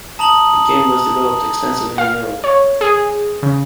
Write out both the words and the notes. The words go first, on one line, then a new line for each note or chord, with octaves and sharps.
The game was developed extensively in Europe.
A5 A#5 D#6 F#7
F5
C#5
G#4
C#3